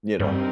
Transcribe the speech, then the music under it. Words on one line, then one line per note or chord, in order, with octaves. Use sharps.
you know.
G2 C4 D#4 G4 A#4